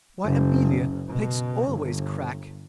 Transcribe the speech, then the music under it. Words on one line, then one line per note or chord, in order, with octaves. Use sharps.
"Why, Amelia, plaits always crack!"
F#1
B2
G1